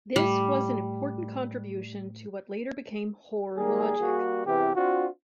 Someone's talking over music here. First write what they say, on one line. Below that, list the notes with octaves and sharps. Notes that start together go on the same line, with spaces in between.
This was an important contribution to what later became Hoare logic.
A2 G3
D#3 G3 A#3 G#4
G3 A#3 F#4
E2 C3 E3 G4
C4 D4 F4 F#4